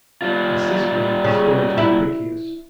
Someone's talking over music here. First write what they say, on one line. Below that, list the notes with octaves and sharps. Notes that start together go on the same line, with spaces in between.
Assist me, Spirit of Apicius!
G3 F4
C#3
E4